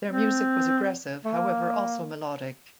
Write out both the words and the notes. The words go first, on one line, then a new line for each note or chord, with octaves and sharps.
Their music was aggressive however also melodic.
C4
A3
A#3